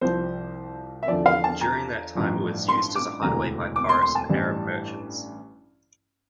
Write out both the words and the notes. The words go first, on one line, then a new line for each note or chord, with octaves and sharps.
During that time it was used as a hideaway by pirates and Arab merchants.
C2 C3 F3 C5
E5
E2 D3 F3 D5
F5
A5
A#5
A1 G2 F3
C6
D6
E1 D2 C3 E3 A#5
D6
C6
C6
A5
A1 G2 E3 G3